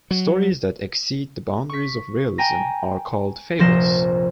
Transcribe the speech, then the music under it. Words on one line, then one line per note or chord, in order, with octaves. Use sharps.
Stories that exceed the boundaries of "realism" are called "fables".
F#3
C#6 B6
G5 G#5 A#5 A#6
F1 A#1 F3 C5 A#6 E7